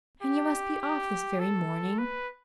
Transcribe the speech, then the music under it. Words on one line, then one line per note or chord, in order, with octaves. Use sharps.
"And you must be off this very morning?"
G4
G4
A4
B4